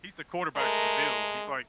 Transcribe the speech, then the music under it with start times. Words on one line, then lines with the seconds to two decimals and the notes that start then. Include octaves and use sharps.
He's the quarterback for the Bills. He's, like
0.56 G#3 A3 A#4